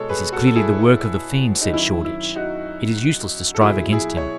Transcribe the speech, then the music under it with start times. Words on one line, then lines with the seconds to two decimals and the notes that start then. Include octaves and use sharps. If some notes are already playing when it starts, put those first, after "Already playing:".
"This is clearly the work of the fiend," said Shoreditch; "it is useless to strive against him."
Already playing: B2 G#3 A4 C#5
0.09 G#4 B4
0.32 F#4 A4
0.47 A4
0.56 E4 G#4
1.62 D#4
1.73 F#2 D#3 F#3 E4
2.05 E4
2.36 D#4 F#4
3.55 A4
3.61 B2 F#3 E4 G#4
3.93 E4 G#4
4.17 C#5